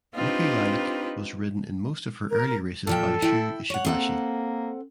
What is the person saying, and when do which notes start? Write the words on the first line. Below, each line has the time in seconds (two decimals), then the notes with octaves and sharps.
Lucky Lilac was ridden in most of her early races by Shu Ishibashi.
0.14 C4 D4 D#4 F4 G4 B4
2.30 A#4
2.87 A#2 F3 A4 G5
3.22 E4 G5
3.70 C#5 F#5
3.85 A#3 C4 A4 F#5